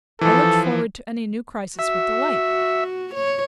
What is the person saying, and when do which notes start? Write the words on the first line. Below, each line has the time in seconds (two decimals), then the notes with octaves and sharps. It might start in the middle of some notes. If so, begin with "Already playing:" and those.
I looked forward to any new crisis with delight.
0.21 E3 F3 A4
1.79 F#4 E5
3.14 C#5